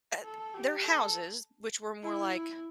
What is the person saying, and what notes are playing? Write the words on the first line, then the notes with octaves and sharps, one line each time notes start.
uh their houses, which were more like
A4
G4
A4
E4